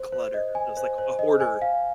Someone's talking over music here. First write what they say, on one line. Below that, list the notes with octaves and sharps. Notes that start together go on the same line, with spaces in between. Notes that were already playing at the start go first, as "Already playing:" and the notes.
clutter. It was, like, a hoarder
Already playing: C5
C5
D#5
G#5
C5
C5
D#5
G#5
F5